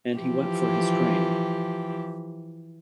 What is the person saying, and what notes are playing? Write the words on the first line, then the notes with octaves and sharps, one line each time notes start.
And he went for his train.
E3 F3 G4